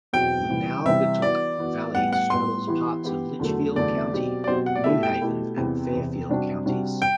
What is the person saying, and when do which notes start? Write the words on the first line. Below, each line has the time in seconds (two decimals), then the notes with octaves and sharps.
The Naugatuck Valley straddles parts of Litchfield County, New Haven, and Fairfield counties.
0.13 E2 B2 F#3 C4 G5
0.49 C3 E3 G3
0.86 C3 E3 G3 E5
1.22 E3 B3 F#4 D5
1.58 E3 B3 F#4
1.94 A2 G3 B3 F#5
2.13 F#5
2.30 A2 G3 B3 C6
2.67 E3 B3 E4 G4
3.03 E3 B3 E4 G4
3.40 E2 D3 F#3 A3
3.76 E2 D3 F#3 A3 D5
4.12 B2 F#3 C4 G4
4.44 D5
4.48 B2 F#3 C4 G4 C5
4.66 F#5
4.76 D5
4.84 B2 A3 E4 G4 E5
5.03 G5
5.21 B2 A3 E4 G4
5.57 E2 C3 E3
5.93 E2 C3 E3
6.29 C3 G3 D4 F#4
6.66 C3 G3 D4 F#4
7.02 G5